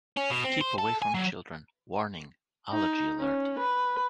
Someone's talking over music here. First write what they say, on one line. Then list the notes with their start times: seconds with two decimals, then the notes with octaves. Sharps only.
Keep away from children - Warning: Allergy Alert!
0.17 C#4
0.30 B2
0.44 C4
0.61 C5
0.78 A4
1.02 G#5
1.14 F#3
2.72 D#4
3.19 C#4
3.59 B4